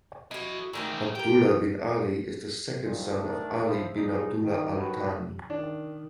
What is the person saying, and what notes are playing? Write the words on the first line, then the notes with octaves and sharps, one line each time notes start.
Abdullah bin Ali is the second son of Ali bin Abdullah Al Thani.
E4 F#4 A4 D#5
G#2 D3 D#3 A3 C4
G4 A#4 G5
A#2 D#3 F3 G3
D#3 A3 D4 A4 A#4
F3 E4
F3 G3 D#4 G#4
D#3
D#3 F#3 F#4 A4 B4
D#3 D4